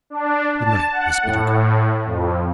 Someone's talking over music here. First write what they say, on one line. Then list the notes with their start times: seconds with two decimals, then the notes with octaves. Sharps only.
The night was bitter cold.
0.10 D4
0.58 A5
0.92 F#5
1.23 A2
2.05 F2